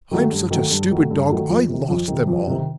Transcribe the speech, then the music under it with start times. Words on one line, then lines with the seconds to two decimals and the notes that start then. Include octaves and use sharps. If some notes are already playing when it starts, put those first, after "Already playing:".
I'm such a stupid dog I lost them all!
0.11 D#3 F#3 A3
0.32 G2
0.51 D#3 F#3 A3
0.71 G2
0.91 D#3 F#3 A3
1.11 G2
1.29 D#3 F#3 A3
1.49 F2
1.69 C3 D#3
1.88 F2
2.08 C3 D#3
2.27 F2
2.47 C3 D#3